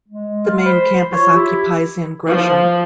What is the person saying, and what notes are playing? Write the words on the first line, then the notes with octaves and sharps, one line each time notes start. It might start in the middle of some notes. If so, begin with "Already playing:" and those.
The main campus occupies in Gresham.
G#3
F4
C5 B5
F4 C#5
E4 G4
F3